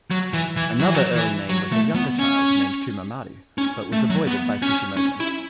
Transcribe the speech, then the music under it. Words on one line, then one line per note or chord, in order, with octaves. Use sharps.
Another early name was a younger child named "Kumomaru" but was avoided by Kishimoto.
F#3
E3
E3
F#3
E3
F#3
E3
F#3
A3
B3
C#4
C#4
A3
F#3
B3
C#4
C#4
E4